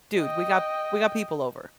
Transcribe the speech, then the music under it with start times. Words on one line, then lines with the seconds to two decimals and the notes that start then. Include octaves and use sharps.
"Dude, we got we got people over,
0.17 D#5 G5